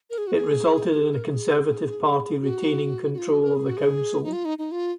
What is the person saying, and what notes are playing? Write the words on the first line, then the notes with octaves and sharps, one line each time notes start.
It resulted in the Conservative Party retaining control of the council.
A#4
G#4
F#4
G#4
A#4
F#4
G#4
A#4
G#4
F#4
F#4
F4
F#4
A#4
G#4
F#4
G#4
D#4
F4
D#4
D#4
F4